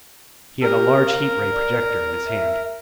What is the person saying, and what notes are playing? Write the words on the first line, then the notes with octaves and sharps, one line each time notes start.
He had a large heat-ray projector in his hand.
G4 A#4
F5
D5
E5